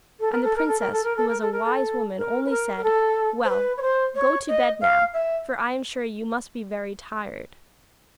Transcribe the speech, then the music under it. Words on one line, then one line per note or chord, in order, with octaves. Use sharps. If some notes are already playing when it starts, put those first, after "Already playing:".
And the princess, who was a wise woman, only said: 'Well, go to bed now, for I am sure you must be very tired.'
A4
A#4
A4
A#4
A4
A#4
A4
A#4
A4
A#4
A4
A#4
A4
A#4
B4
A#4
A#4
A4
C5
B4
C#5
C5
C#5
D#5
F5
E5